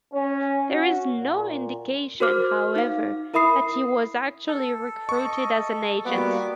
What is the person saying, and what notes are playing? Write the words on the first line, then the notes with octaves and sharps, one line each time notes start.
There is no indication, however, that he was actually recruited as an agent.
C#4
F#4
A#2
F#4 A#4 C5 D6 F6
D#4 F5
E4 A#4 E5 B5 D#6 C7
A4
D#5 C#6
G3 A#3 B3 F#4 D6